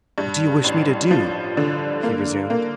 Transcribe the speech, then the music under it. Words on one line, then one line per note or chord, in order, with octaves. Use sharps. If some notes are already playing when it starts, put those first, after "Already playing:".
"What do you wish me to do?" he resumed.
G2
A1
F3
D3
A#3
A#3